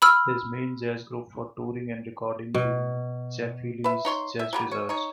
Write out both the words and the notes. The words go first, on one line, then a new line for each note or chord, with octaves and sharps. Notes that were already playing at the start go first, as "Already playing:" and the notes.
His main jazz group for touring and recording being Jeff Healey's Jazz Wizards.
B5 E6 F6
B2
B4 E5
D#4 C#5 C6
E5
F#3 G3 A#3
C#5
D#4 C#5